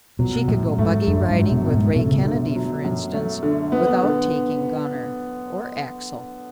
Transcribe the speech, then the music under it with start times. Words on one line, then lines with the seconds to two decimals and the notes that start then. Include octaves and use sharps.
She could go buggy-riding with Ray Kennedy, for instance, without taking Gunner or Axel.
0.19 B2 F#3
0.48 F#2 A2
0.78 G#2 A3
1.07 F#2 D3
1.30 G#2
1.37 F#3
1.52 B2
1.66 F#2
1.74 G#2
1.96 B2 A3
2.08 C#3
2.19 B2
2.25 D3
2.55 F#3
2.85 F#2
3.14 A3
3.43 D3
3.72 B3
4.02 D3